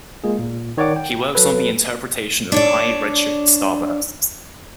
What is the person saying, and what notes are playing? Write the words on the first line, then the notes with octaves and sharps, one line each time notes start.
He works on the interpretation of high redshift starbursts.
G#3 A#3 F4 G#4
A#2
D#3 C#5 D5 F#5 D6
G5
F#3 A4 B4
D4 C#5 D5